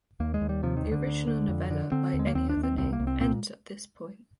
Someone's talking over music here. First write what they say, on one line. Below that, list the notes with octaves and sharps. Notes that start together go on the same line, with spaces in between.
The original novella "By Any Other Name" ends at this point.
D#2 A#3
G#3
D#2
G3
C3 F3
D#3
D2
D3
D2
D3
F2
D3
D3 C4
D#2
G#3
A#3
D#2 C4
D4
D#2
C4
C2 C4
A#3
C2
C4
A#2 C4